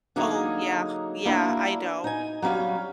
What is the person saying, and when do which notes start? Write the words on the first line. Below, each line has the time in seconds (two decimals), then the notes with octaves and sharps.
Oh, yeah, yeah, I know.
0.16 D3 F#3 A#3 D#4 G#4
1.26 A#3 D4 E4 F#4
2.04 D#4 G#5
2.42 F#3 G3 C#4 F5